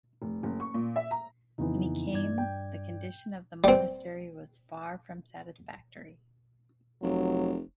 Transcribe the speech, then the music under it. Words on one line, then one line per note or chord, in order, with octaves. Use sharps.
When he came the condition of the monastery was far from satisfactory.
F1
F#1
C#6
A#2
E5
A#5
F2 C#3 E3 B3 D#4
G2 D5 G#6
G5
G3 C4
F1 F#3